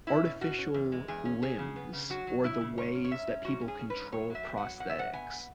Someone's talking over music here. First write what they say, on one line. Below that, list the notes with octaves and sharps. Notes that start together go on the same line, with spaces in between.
Artificial limbs or the ways that people control prosthetics,
C#4 E4
B2
B2 F#4
C#4
E2
G#3
E2 G#4
C#4
F#3 G#4
C#3
B3
C#3
F#3 F#4
F#3
C#3 E4
C#3
G#2 C#5
C#4
C#5
G#2 E5
C#4
G#2 F#4
C#4
G#4
C#4
B4
G#2
F#3 C#5
F#3
E5
B3
F#5
F#3
B2 F#5
E5
B2 F#5
B3 G#5
B3